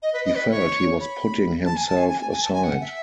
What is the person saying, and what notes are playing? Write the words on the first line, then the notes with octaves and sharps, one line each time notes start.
He felt he was putting himself aside.
D#5
B4
D#5
B4
C#5
B5
A5
G#5
A5
G#5
G#5
G#5
G#5
A5
G#5
F#5
E5